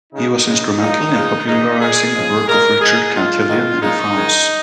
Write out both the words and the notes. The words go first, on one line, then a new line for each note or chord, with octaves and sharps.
He was instrumental in popularizing the work of Richard Cantillon in France.
C#3 G#3 D#4
C#3 G#3
A#2 F3 G#3 D#4
C#3 F3 G#3
G#2 D#3 G#3 D#4
A#2 G#3 G#4
C#3 F3 G#3
A#2 G#3 A#4
G#2 G#3 G#4
G#2 G#3 F4
G#2 D#3 G#3
A#2 F3 G#3 D#4
G#2 D#3 G#3